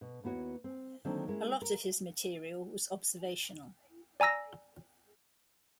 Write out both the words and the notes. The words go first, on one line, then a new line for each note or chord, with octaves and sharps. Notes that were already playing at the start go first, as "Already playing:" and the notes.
A lot of his material was observational.
B2
D#2 B3 E4 F#4 C#5
C4
D3 D#3 F#3 A#3 C4 D4
G#3 C#4 E4 A#4
A#4
D5 G#5 A#5 E6 A#6